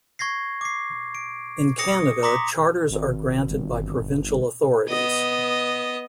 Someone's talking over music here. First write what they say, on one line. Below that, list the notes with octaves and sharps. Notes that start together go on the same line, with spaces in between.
In Canada charters are granted by provincial authorities.
C#6 G#6 A#6 C7
D6 C7
D7
D#6 A#6 C#7
A#5 C6 D6 D#6 A#6 B6
G#1
G1
B3 D#5